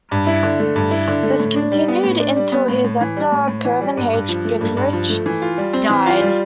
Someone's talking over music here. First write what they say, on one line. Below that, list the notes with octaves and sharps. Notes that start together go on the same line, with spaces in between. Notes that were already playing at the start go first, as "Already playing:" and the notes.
This continued until his editor, Curvin H. Gingrich, died.
G2
E4
D3
A3
G2
E4
D3
A3
A2
D4
G3
B3
A2
D4
G3
B3
A2
A2
E3
G3
A2
A2
E3
G3
G2
G2
F3
A3
G2
G2
F3
A3
E3
F4
G3
C4
E3
F4
G3